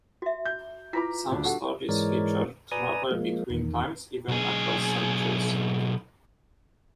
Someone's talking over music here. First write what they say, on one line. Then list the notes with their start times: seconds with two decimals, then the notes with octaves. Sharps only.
Some stories feature travel between times, even across centuries.
0.22 F#4 E5
0.45 G6
0.93 E4 F4 B4 A#5 D6 B6
1.30 D#1 D2 D4
1.44 D4 F#4 G4 A4 F#5
1.89 G#2 E3 G#3 A#4 C#5 D5
2.72 B4 D5 G#5 A#5 D#6
3.11 F3 G#3 A#3
3.50 E2 D#3
4.28 B1 G#4